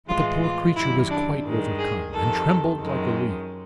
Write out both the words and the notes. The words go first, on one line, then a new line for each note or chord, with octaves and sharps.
But the poor creature was quite overcome, and trembled like a leaf.
A2 E3 G#3 F4
F4
F#2 D#3 G3 E4
D4
G2 D#3 G#3
G#4
F2 C3 D#3 A4
F#2 D#3 G#3